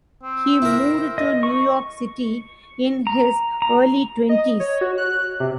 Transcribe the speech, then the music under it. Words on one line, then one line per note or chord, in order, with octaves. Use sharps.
He moved to New York City in his early twenties.
C4
E4 A#4
D#5
C#6
A#5
A#5
D#5
C#5
F#4
F#6
C3